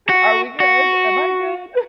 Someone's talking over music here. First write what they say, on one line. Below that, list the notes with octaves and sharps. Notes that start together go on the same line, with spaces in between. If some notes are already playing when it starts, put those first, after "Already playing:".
Are we good? Am I good?"
F#4
F#4